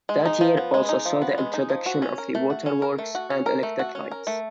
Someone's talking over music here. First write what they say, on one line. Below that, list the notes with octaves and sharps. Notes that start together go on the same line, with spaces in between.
That year also saw the introduction of the "Water Works" and electric lights.
G#3
D#4
F3
B3
G#3
D#4
F3
B3
G#3
D#4
F3
F#4
C#4
A#4
A3
F#4
C#4
A#4
A3
F#4
C#4
A#4
A3
F#4
C#4
A#4
A3